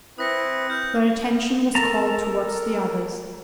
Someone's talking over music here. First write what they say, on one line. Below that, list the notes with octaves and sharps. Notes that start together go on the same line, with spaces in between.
Their attention was called towards the others.
C4 E4 B4 D#6 A#6 C#7
F6 G6
A4 A#4 A5 A#5